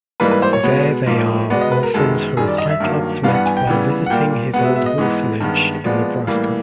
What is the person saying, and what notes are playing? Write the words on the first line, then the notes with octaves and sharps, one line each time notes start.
There they are orphans whom Cyclops met while visiting his old orphanage in Nebraska.
G#2 E3 G3 A#3 B4
B4
C5
C#5
B2 G#3 B3
G#2 F3 A#3
B2 G#3 B3 D5
D#5
B4
A#4
F#2 D#3 G#3 B3 A4
F#2 D#3 G3 G#4
D5
D#5
E5
G2 D#3 F#3 A#3
G2 E3 G3 B3 F5
F#5
G#5
G5
C#3 E3 G3 B3
F#5
A#2 G3 A#3 G5
B2 G#3 B3 F#5
E5
E5
D#5
G#2 E3 G#3 B3
G2 D#3 G#3 B3
A#2 F3 G#3 B3 D5
A2 E3 G3 A#3